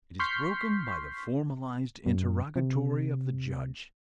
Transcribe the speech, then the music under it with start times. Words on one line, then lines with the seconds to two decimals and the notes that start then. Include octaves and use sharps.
It is broken by the formalised interrogatory of the judge?
0.19 C6 C#6 F6 G6 B6 C7
2.06 F#2
2.56 C3